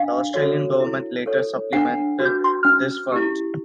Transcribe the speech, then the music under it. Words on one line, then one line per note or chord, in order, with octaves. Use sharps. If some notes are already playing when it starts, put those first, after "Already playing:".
The Australian Government later supplemented this fund.
Already playing: D4 F5
F#4 A4 C#5
E4
A4 C#5
D4 F#5
F#4 B4
C#4
E4 G4